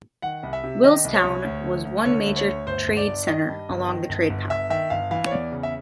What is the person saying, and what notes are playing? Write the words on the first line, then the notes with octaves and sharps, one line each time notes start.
Willstown was one major trade center along the trade path.
D#3 F#5
C2
E5
C3
D#3 D#5
C2
C#5
C2
D2
D3
D2
D3 C#5
D2
C#5
D2
G1 C5
G1
D5
G1
D#3 D#5
G2
G1
D#3
G1
G1
G1 E5
D#3 E5
G1 F5
E3 F5
C#5
E2 D5
C#3
E5